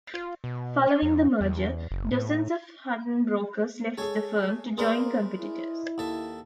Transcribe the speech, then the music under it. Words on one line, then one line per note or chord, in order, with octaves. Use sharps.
Following the merger, dozens of Hutton brokers left the firm to join competitors.
F4
B2
C#4
F2
E2
F#1
A2
G#3 G#4 A4 C#5 G#5
G#3 A#3 G#4 A#4 B4 D5
E4
D#2 A4 E5